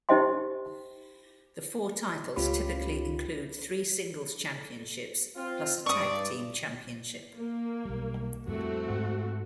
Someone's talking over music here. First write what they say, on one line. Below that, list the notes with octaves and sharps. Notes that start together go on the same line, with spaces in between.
The four titles typically include three singles championships plus a tag team championship.
D#4 G4 C5 D#5 G5 C6
C#2 A3 C#4 F4 G4 B5
C4 F4
G2 D5 C#6 D#6
A#3
B1 G3
F2 A2 G3 A3 C4 F#4
G#2